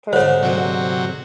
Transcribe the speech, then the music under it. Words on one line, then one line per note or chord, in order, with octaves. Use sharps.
Personal thing.
G#2 D3 C5 C#5
C3 F#3